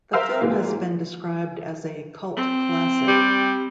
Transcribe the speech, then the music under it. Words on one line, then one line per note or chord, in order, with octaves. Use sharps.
The film has been described as a "cult classic".
A#4 C5 E5 F5 E6 F6
G#2 E3 F#3 A#3
C4
G3